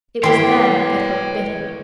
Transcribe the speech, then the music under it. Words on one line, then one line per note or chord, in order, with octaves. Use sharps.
It was then that Hook bit him.
E3 G4 C#5 G5 C6